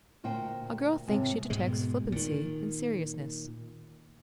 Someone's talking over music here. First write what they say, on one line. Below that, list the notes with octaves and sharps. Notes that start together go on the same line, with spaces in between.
A girl thinks she detects flippancy in seriousness.
D2 A#2 C5 F#5 G5
D#2 G#2 C3
G#2 B2 G#3
A#2 D#3